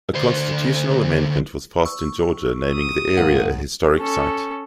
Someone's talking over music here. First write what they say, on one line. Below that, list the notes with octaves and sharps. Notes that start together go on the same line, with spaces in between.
A constitutional amendment was passed in Georgia naming the area a historic site.
D2 C5
C#6 E6
D#6
D#2 G#2 A#3 F#5
C#4 A4